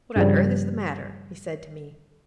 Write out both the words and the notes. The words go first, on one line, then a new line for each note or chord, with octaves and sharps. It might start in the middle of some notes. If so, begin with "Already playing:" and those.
'What on earth is the matter?' he said to me.
G2 C#3 F3 G3